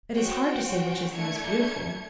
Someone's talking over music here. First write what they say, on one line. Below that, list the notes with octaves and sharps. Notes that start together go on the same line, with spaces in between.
"It is hard to say which is the most beautiful."
C#4 F#4 C5 F#5 G5
A3 A#3 D4 G#6 C#7